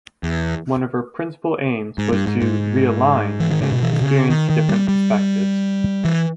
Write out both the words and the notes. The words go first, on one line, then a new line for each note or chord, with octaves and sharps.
One of her principal aims was to "realign" and "experience different perspectives".
E2
G#2
G2
G#2
G#2
E3
D#3
C#3
B2
E3
D#3
C#3
D#3
D#3
G3
G3
E3